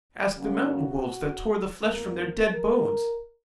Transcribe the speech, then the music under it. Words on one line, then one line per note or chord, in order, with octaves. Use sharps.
Ask the mountain wolves that tore the flesh from their dead bones.
C#3 F#3 A#3 C#4 F#4
E2 B2 A#3 A#4
A#4